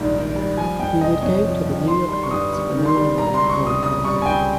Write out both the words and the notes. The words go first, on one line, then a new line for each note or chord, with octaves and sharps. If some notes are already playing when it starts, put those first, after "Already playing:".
He would go to the New York Mets for Nolan Ryan a week later.
Already playing: A#1 G#2 D#3 G3
D#3
G3
F3 G#5
F2 G5
C3 D#5
F2 C#5
F3
F2
D#3 C6
G3 C6
C#6
G2 D#6
G1 C#6
D#3
C6
G3
G3 A#5
C6
C#2
C#6
C3
D#6
C#2 D#6
G3 C#6
G#5
C#2 G5